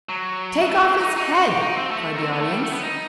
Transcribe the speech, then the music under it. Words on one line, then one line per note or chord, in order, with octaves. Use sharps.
"Take off his head!" cried the audience.
F#3
B3
A3
C4
E4
D#4
D#4
F#4
G4
D#4
C4
A3
D#4
C4
B3
A3
G3
A3
B3
D#4